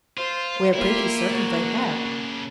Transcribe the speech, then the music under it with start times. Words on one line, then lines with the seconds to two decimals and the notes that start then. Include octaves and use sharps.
"We are pretty certain they have."
0.18 F4 C5
0.74 A#3 E4 F4 G4
1.31 C#3 D4 F#4